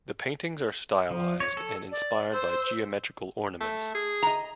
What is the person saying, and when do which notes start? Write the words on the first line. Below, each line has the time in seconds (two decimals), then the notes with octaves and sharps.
The paintings are stylised and inspired by geometrical ornaments.
1.11 F3
1.40 C#5
1.57 A4
1.92 D5
2.33 C5 E6
3.61 A3
3.95 G#4
4.23 D#5 A#5